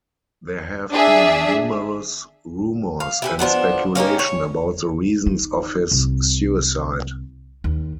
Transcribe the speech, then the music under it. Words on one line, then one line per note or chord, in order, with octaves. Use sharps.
There have been numerous rumours and speculation about the reasons of his suicide.
D4 G#4 E5
F5
E4 G4 G#5
F3 G3 B3 D4
A#3 C#4 D#4 G4
C#5
D#4
C2
D#2